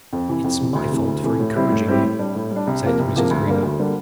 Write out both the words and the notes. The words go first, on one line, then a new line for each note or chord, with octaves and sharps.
"It's my fault for encouraging you," said Mrs. Greenow.
F2
C3 E3
F2
C3 E3
D2
C3 E3 A3
D2
C3 E3 A3
A2
G3 C4 E4 G4
A2
G3 C4 E4 G4
A2
G3 D4
A2
G3
D4
C2
C3 F3 A#3
C2
C3 F3 A#3
D2
D3 G3 A#3
D2
D3 G3 A#3